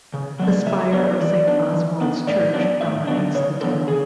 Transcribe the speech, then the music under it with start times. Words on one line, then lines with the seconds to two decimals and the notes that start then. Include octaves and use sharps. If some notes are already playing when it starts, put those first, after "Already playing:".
The spire of Saint Oswald's Church dominates the town.
0.14 C#3
0.39 F#3 B3 D4
0.66 C#3 E5
0.93 F#3 B3 D4 C#5
1.21 E3 D5
1.47 B3 D4
1.74 E3
2.01 B3 D4
2.27 A2 D5
2.54 F#3 B3 D4 D5
2.81 A2 E5
3.07 F#3 B3 D4 D5
3.34 C#3 C#5
3.61 E3 B3 D4 A4
3.88 C#3 G#4